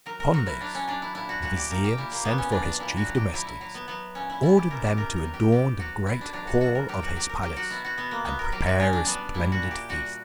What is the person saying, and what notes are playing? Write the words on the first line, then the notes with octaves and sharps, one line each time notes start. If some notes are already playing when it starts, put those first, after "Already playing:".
Upon this the vizier sent for his chief domestics, ordered them to adorn the great hall of his palace, and prepare a splendid feast.
F#3 A#4
A#4
F#3 F#4
E4
F#3 D4
C#4
F#3 D4
E4
A#2 E4
F#4
A#2 F#4
G4
A#2 A#4
G4
A#2 E4
A#3
A#2 B3
C#4
F#3 D4
D4
A#2 E4
F#4
F#3
G4
F#3 E4
E4
F#3
B3
F#3 B3
A#2 C#4
E4
B2 E4
G4
B2 A#4
G4
B2 A#4
A#4
F#3
G4
B2 G4
F#3 F#4
B2 E4
D4
F#3 D4
F#4
B2 F#4
A#4
F#3 G4
F#4
F#3 G4
A#4
F#3 G4
F#4
B2 E4
F#4
B2 B3
A#3
B2 B3
A#4
F#3 G4
F#4
A#2 C#4
D4
G3 B3
A#2 E4
F#4
A#2
G4
G3 F#4